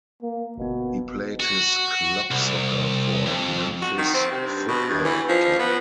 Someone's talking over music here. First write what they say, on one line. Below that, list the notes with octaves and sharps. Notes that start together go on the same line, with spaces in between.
He played his club soccer for Memphis Futbol Club.
A#3
G1 B2 B3
F#4
C2
F2
F#4
D#3
C4
C3
G2
B2
G2
E3
F3
B3